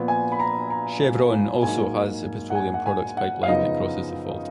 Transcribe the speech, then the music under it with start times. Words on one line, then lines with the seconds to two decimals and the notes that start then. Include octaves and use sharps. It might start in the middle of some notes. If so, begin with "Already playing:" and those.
Chevron also has a petroleum products pipeline that crosses the fault.
Already playing: A#2 F3 B3
0.08 G#5
0.32 B5
0.39 A#5
0.70 A#5
1.62 G#2 F#3 A#3 D#4 G#5
2.50 F#5
2.55 G#5
2.74 F#5
2.86 G#5
3.17 F#5
3.43 F5
3.48 F#2 C#3 F3 B3 D#4 D#5